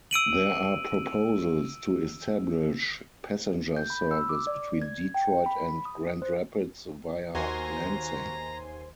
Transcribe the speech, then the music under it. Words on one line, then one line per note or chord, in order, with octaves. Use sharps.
There are proposals to establish passenger service between Detroit and Grand Rapids via Lansing.
E6 D7 D#7 F#7
G6
B5
E6
D6
D5
G#6
G5
B5
D#6
C5
D#2 F#4 A#4 C5 G#5 A#5 C6